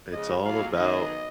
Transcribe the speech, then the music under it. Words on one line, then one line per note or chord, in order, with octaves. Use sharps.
it's all about
C#3 F3 G#3 D#5
F#3 A#3 F4 G#4 F5
D#3 F#3 B3 D#4 G#4 D#5